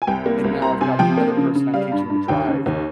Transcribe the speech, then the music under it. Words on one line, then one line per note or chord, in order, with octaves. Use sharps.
And now I've got another person I'm teaching to drive,
G#5
C2 G5
A#3
C2
C4 A#5
C3 G#5
F3 G5
A#3
C#3
C#3
G3 F5
G2
G2
D#2 G5
C#3
D#2